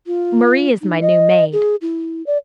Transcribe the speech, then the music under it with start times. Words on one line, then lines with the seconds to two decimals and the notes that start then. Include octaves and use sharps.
Marie is my new maid.
0.07 F4
0.82 D#4
1.02 D#5
1.53 G#4
1.82 E4
2.26 D5